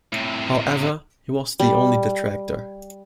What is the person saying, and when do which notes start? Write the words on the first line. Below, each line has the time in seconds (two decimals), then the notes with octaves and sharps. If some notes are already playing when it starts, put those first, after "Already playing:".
However, he was the only detractor.
0.12 A2 C3
1.60 G3